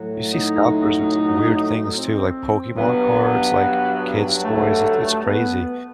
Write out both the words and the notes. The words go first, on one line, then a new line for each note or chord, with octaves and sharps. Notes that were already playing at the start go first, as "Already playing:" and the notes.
You see scalpers with s weird things too, like Pokemon cards, like, kids' toys, it's it's crazy.
Already playing: A2 F#3
D#4
C4
G2 F#3 B3
A3
B3